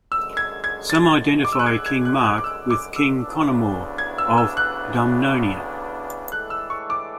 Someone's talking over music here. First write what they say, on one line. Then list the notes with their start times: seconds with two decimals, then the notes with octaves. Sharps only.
Some identify King Mark with King Conomor of Dumnonia.
0.12 G#1 F#2 D3 G#3 E6
0.37 G#6
0.64 G#6
0.90 A6
1.45 D6
1.52 E6
1.59 F#6
1.66 G#6
1.86 G#6
2.05 F#6
2.24 F#6
2.38 D6
2.44 E6
2.70 D6
2.96 E6
3.22 D2 C#3 E3 B3 D4
3.98 G#6
4.18 E6
4.38 E6
4.57 F#6
6.31 A2 E3 G#3 D4 A4 F#6
6.50 E6
6.70 C#6
6.90 D6